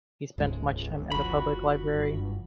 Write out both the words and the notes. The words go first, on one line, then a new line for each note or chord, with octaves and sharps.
He spent much time in the public library.
D#1 C#2 G#2 G#3
F#1 F3 F#4 B5
G2